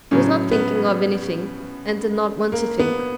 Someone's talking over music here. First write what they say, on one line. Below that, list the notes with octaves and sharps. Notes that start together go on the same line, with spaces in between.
He was not thinking of anything and did not want to think.
A2 C#3 F#3 C#4
B3
A#3
B3